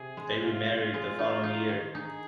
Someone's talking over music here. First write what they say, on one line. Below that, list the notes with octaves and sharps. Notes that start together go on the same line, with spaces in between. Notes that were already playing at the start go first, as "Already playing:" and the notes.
They remarried the following year.
Already playing: C3 G#4
G#3
C3 F4
C3
G#3
D#4
D#4
D#3
D#4 G#4